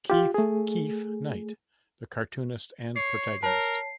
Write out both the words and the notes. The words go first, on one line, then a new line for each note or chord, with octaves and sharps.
"Keith "Keef" Knight" - The cartoonist and protagonist.
F4 G4
A3 G#4
C#5 C7
A#4 C#5 A5